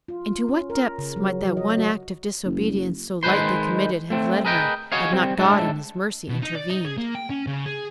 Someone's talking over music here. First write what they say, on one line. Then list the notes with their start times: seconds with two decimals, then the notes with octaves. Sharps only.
Into what depths might that one act of disobedience so lightly committed have led her had not God in His mercy intervened?
0.08 F4
0.49 C#4
0.70 A#4
0.98 C#3
1.16 F#3
1.43 F#3
1.57 D#5
1.78 F#4
2.45 F#1
3.23 D#3 G#3 C4 B4 C5 C6
4.10 A3 C4
4.45 G#4 A#4 B4 D#5 G5
4.92 F#4 G#4 C#5 D#5 F5
5.13 G3 C4
5.38 A2 G#3 D4 A4
6.28 B2
6.42 D#4
6.55 D5
6.69 D#4
6.85 G#4
6.97 A#3
7.15 G5
7.30 C#4
7.47 C#3
7.66 G#4